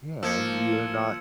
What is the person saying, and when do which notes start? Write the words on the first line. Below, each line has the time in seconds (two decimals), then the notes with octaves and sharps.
Yeah, and you are not
0.23 F3 A#3 E6 G#6 C#7